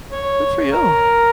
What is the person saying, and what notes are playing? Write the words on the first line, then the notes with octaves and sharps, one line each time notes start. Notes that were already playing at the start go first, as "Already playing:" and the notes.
Good for you.
C#5
A#4